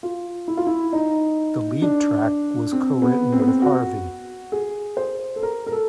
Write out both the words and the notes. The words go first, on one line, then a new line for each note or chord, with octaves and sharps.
The lead track was co-written with Harvey.
F4
E4
F4
E4
D#4
D4
C4
B3
C4
B3
C4
F#4
G#4
C5
A4
A#4
A#4
A4